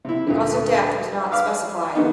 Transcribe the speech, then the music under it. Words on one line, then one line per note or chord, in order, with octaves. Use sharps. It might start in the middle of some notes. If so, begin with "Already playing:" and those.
The cause of death was not specified.
C3 E4
D2 A#2 D3
B4 F5 D6 E6
D3 D#3 B3 D#4